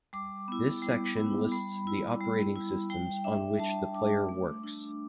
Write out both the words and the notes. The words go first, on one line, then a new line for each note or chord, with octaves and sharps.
This section lists the operating systems on which the player works.
G3 D6
B3 E4
G3
B3 E4
G3 B5
E4
G3
E4
G3 G5
D4 E5
G3 A5
D4 D6
A3
D4